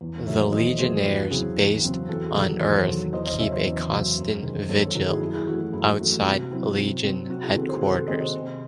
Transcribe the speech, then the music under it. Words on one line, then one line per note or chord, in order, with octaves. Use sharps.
The Legionnaires based on Earth keep a constant vigil outside Legion headquarters.
E2
D#3 F#3 A3 C#5 E5
E2 C5 D#5
D#3 F#3 A3 G#4 C5
E2 F#4
C#3 F#3 C4 E4 G#4
E2
C#3 F#3 C4
E2 F#4 A4
G#4
D#3 F#3 F#4 A4
E2 G#4 C5
D#3 F#3 A4 C#5
E2 C5 D#5
C5 D#5
C#3 F#3 C#4 C#5 E5
C5 D#5
E2
C#3 F#3 C#4
F#2
D#3 G#3
F#2 A4 C#5
A4 C#5
D#3 G#3 F#4 A4
E4 G#4
F#2 E4 G#4
E4 G#4
E3 A3 F#4
F#4
F#2 E4 G#4
E3 A3 F#4
C3 F#4
F#3 C4 E4
C3
F#3 C4
C3 F#4
E4 G#4
D#3 G#3 C4 F#4 A4
G#4 C5
C3 F#4 A4
F#4 A4
D#3 G#3 C4 C5 D#5
C5 D#5
C3